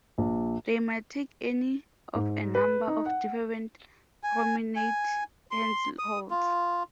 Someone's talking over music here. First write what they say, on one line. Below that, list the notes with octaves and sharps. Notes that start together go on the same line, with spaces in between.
They might take any of a number of different promenade handholds.
A#1
G#2
B4
D#4
F#5
G#5
G#5
C6
D#6
F4